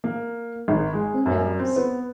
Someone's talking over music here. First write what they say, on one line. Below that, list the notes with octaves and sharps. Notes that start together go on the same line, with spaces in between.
"Who knows?"
A#3
G#1
G#3
F#2
C4
B3